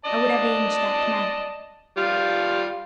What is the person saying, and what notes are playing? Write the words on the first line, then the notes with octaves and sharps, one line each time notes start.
'I would avenge that man.'
D5 D#5 A5
G3 F4 F5